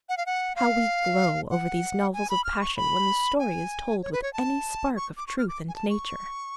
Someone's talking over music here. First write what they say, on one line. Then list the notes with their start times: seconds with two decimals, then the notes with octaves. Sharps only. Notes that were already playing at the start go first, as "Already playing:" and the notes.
How we glow over these novels of passion, when the story is told with any spark of truth and nature!
0.09 F#5
0.17 F5
0.26 F#5
0.56 F5
1.50 F#5
2.13 G#5
2.30 B5
2.44 F6
2.61 C#6
2.77 B5
3.39 G#5
4.02 C#5
4.13 B4
4.23 C#5
4.33 A5
4.96 C#6
5.17 D6
5.27 C#6
5.39 F6
5.48 D6
5.69 G#5
5.75 A5
5.90 C#6